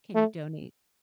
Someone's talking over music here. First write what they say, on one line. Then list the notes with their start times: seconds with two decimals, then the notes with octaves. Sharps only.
"Can you donate"
0.15 A3